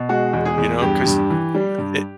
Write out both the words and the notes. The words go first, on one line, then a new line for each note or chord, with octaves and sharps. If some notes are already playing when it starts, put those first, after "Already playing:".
you know, 'cause n it
Already playing: B2
G#3 F#4
E2
G#4
E2
G2 G4
G2
E3
G3
G2